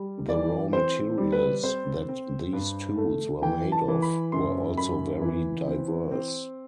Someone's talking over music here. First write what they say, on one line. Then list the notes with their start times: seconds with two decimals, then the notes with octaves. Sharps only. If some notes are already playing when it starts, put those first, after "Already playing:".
The raw materials that these tools were made of were also very diverse.
Already playing: G3
0.28 E3 D5
0.73 C4 C5
1.18 G3
1.32 B4
1.63 C4 C5
2.08 C4
2.53 G2
2.98 A3
3.42 E3 G5
3.72 A5
3.88 E3
4.02 B5
4.32 F#2 C6
4.77 F#2 B5
5.22 E3
5.67 C4
6.11 C4